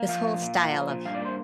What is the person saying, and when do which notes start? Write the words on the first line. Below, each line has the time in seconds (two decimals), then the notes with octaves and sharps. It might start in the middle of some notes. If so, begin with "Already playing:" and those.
this whole style of h
Already playing: A#3
0.08 F3 F5
0.25 A#2
0.41 A#2
0.56 A#3
0.72 F3
0.89 A#2
1.05 G2 F5
1.15 D5
1.22 A#3 C5